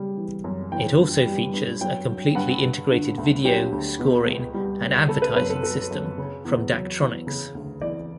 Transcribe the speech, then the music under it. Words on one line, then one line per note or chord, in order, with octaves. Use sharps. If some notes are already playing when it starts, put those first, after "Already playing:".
It also features a completely integrated video, scoring and advertising system from Daktronics.
Already playing: C#3 G3
E3
F#2
E3 G5
G2
G3
G2
F#3 G5
F#3
G2 F#5
G2
D3
D2
F#3 G4
D2
B2
C#2
G3
C#2
C#3 A4
B4
F#2 B4
A4
F#3 A4
F#2
C#3
E2
F#3
E2
C#3
D2
E3 D5